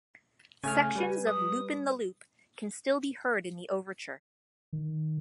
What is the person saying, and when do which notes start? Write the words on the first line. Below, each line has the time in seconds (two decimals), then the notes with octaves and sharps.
Sections of "Loopin' the Loop" can still be heard in the Overture.
0.64 C#3 A3 G#5 F6
0.96 G3 B4
1.27 D#6
4.73 D#3